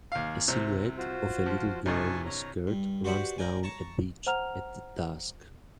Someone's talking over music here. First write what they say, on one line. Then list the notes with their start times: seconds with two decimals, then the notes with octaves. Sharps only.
The silhouette of a little girl in a skirt runs down a beach at dusk.
0.12 D#2 F5
0.48 C2 C3
0.98 F4 F#4 C5
1.46 F3
1.86 C2 G2 D#5 G#5 A5 C#6
2.25 C#5 A#5
2.67 G2
3.04 F#4 G4 B4 C5 D5 F#5
3.38 A#4 D5 G5 G#5
3.63 C#5 A5 A#5
4.26 C5 F#5 A#5 F6 F7